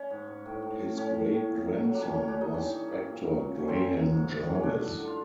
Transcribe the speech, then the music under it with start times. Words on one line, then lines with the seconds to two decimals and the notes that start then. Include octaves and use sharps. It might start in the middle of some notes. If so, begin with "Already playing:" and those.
His great-grandson was actor Graham Jarvis.
Already playing: C#4
0.10 G#2
0.28 G#2
0.45 A2
0.62 A2
0.80 A2
0.97 A2 C#4
1.15 A2
1.32 A2
1.49 A#2
1.67 F#3
1.84 F#3
1.95 D4
2.02 A2 C#4
2.15 A2 C#4
2.28 D4
2.36 A2 D#4
2.54 G3 C#4
2.72 E3
2.89 G2
3.06 A#2
3.24 F#3
3.41 A#2
3.59 F#3 C#4
3.68 C4
3.76 C#3 C#4
3.93 F#3
4.11 G#2
4.28 G#2
4.46 E3
4.55 C#4
4.63 D3 D4
4.80 F#2
4.98 D3
5.07 F4